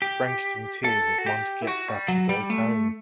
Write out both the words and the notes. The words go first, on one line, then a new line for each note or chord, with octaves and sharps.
Frank is in tears as Monty gets up and goes home.
G4
A4
F#4
G4
E4
F#4
G3
F#3
G3
A3